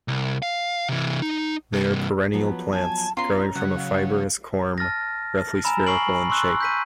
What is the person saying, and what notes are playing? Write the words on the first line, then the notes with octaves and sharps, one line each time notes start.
They are perennial plants growing from a fibrous corm, roughly spherical in shape.
C2
F5
C3 E3
D#4
C2 G2
F3 F#3 B3 B4
G#5 A5
B3 C#4 F4 A#5 C6
C#3 F#3 F#5
F5
A5 F6 A6 A#6
G#5 A#5 B5 E6
G#5 C#6 F6 C7 D7 F#7
C6 C#6 E6 F#6
G6 B6 D#7